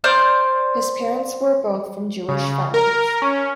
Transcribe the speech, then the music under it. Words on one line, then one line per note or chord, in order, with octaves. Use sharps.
His parents were both from Jewish families.
C5 D5 F6 G6
C#3
A#4
C#4